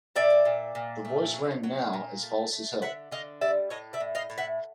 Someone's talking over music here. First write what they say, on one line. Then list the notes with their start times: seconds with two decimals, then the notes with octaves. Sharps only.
The voice rang now as false as hell.
0.16 A#2 D5 E5
0.45 A#2
0.75 A#2
1.05 A3
1.34 F#3
1.63 F#3
1.93 A#2
2.23 A3
2.52 A3
2.82 D3 E5 F#5
3.12 D3 D#5 F5
3.41 G3 D5 E5
3.70 A2 C#5 D#5
3.93 D5 E5
4.00 A2
4.15 D#5 F5
4.30 A2
4.38 E5 F#5